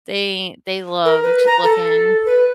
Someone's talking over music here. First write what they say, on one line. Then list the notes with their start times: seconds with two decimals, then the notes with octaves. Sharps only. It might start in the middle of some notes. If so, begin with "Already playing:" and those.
they they loved to looking,
1.05 A#4
1.23 B4
1.47 A#5
1.64 A4
2.26 B4